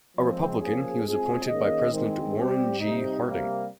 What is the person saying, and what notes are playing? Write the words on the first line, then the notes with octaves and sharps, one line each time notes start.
A Republican, he was appointed by President Warren G. Harding.
F3 G#3 C4
F3 A#3 C#4 G#4
G#3 C4 F4 G#4
D#3 A#3 C#4 G#4 D#5
D#3 G#3 C4
G3 C4 G4
C3 G3 C4 D#4
C3 G3 A#3